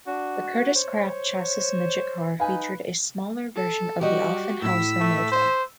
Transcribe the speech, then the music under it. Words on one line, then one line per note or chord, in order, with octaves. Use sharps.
The Kurtis Kraft chassis midget car featured a smaller version of the Offenhauser motor.
D4 F#4
C5 C#5
D#4 B4 F5 G#5
A4
G3 F#4 G4 D#5
A2 E4 E6 B6
A3
C5